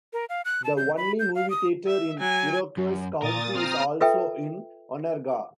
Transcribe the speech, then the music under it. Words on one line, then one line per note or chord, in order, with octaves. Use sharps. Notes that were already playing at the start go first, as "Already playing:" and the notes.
The only movie theater in Iroquois County is also in Onarga.
A#4
F5
F#6
A5
G6
B5
G6
F5
D#6
E5
F#3 G#5
F#2
A#2 A#4 D#6 A6
C4 A#5 D#6 F6
F4 A4 B4 E5 G5